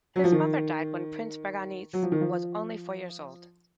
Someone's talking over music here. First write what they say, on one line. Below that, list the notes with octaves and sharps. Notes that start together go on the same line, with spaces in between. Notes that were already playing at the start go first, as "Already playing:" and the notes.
His mother died when Prince Birabongse was only four years old.
F#3
F3
D#3
F#3
F3
D#3
F3